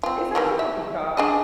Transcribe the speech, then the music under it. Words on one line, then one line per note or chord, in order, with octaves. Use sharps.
It's actually on Peacock.
C4 F4
D#3 E3 G3
E5
D4 G#4 D#5